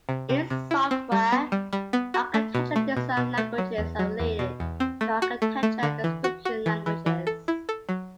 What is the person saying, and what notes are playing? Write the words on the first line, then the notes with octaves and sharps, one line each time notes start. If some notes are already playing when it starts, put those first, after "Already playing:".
In software architecture, design languages are related to architecture description languages.
C3
C3
C3
E4
C4
G3
B3
G3
G3
B3
F#4
A3
B2
A3
B2
B2
A3
F#3
E2
F#3
E2
B2
E2
C4
A3
F#4
A3
A3
D3
E3
F#4
F#4
E3
E3
E3
A4
E4
A4
F#3